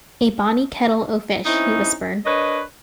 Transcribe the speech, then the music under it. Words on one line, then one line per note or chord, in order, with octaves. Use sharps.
"A bonny kettle o' fish," he whispered.
C4 C#4 D#4 E4
D4 A#4 B4 C#5 D#5